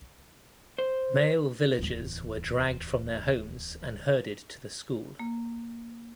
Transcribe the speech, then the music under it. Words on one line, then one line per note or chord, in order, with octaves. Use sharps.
Male villagers were dragged from their homes and herded to the school.
C5
D1 E2
A#3